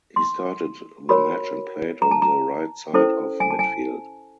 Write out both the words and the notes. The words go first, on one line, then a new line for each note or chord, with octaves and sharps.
He started the match and played on the right side of midfield.
C6
F#4 A#4 C#5 B5
A#5
A5
A#5
C#4 E4 A4 C5
G#5
A5
G#5